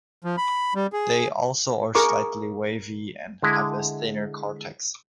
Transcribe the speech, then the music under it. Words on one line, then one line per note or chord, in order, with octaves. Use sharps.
They also are slightly wavy and have a thinner cortex.
F3
B5
G3
G#4
G#4 A#4 C#6 D6
D3 G#3 E4